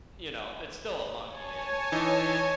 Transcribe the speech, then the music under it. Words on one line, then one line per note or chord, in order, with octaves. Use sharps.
you know, it's still a monkey, and,
C#5 G#5 A5
E3 D#4